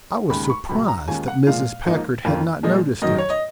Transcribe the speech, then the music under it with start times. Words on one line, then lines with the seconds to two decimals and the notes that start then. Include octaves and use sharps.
I was surprised that Mrs. Packard had not noticed it.
0.30 D#2 C#3 G#3 B5
0.44 B5
0.50 C#6
0.69 C#2 B2 F#3 B5
0.88 A#5
1.08 D#2 D#3 G#3 C#4 F4 G#5
1.28 F#5
1.47 A#2 F3 G#3 F5
1.85 G#2 F3 A#3 D#4
2.25 F2 D#3 A#3 C#4 F4
2.63 A#2 F3 G#3 D#5
3.02 F#2 D#3 F#3 D#5
3.18 C#5
3.30 D#5